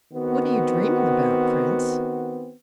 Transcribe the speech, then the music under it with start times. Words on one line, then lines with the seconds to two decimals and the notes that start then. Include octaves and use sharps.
'What are you dreaming about, Prince?'
0.13 D#3 B3 C4 F#4